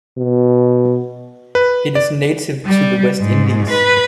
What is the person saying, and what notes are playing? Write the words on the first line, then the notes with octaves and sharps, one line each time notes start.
It is native to the West Indies.
B2
B4
D5
G3
G#2
B4